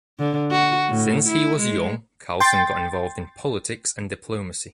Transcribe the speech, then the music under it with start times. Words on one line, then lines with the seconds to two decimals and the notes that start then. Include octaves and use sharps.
Since he was young, Carlsson got involved in politics and diplomacy.
0.19 D3
0.51 F#4
0.89 A2
1.29 E4
1.59 G#3
2.40 G5 C6 A6